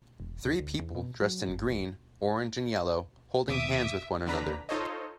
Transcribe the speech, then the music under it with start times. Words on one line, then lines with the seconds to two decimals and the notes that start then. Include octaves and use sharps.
Three people, dressed in green, orange, and yellow, holding hands with one another.
0.20 E1
0.45 D2
0.60 D2
0.79 E2
0.95 B2
1.21 F#3
1.48 G1
1.70 D1
3.48 D#2 B2 E5 D6 D#6
4.26 F2 D3 D4 B4 A#5 B6
4.69 D#4 F4 A4 C5 C#5 D#5